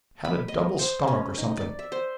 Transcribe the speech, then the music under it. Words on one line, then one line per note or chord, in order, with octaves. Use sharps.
Had a double stomach, or something.
B5
D#5
C5
C#4
D#4
D5
E5
C5